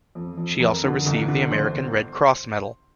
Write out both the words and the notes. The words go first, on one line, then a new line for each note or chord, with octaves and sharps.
She also received the American Red Cross Medal.
F2
F2
F2 A#4
D3
G1
D3
G1 C5